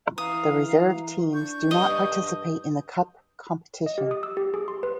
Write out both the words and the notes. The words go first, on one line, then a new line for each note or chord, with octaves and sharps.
The reserve teams do not participate in the cup competition.
E3 F5 A#5 D#6
D4 C#6 G6
G2 D#5
D#5
G4
D#6
E6
G4
G#4
C6
B4